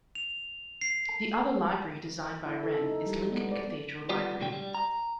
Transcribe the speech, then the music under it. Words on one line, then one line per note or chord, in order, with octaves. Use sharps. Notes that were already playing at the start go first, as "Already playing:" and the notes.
The other library designed by Wren is Lincoln Cathedral Library.
F7
C7
E4
A4
D#4
G3
B3
D5
G3 B3 F4 G4 D5
B1 A2 D3 F#3 G5
G3
A#5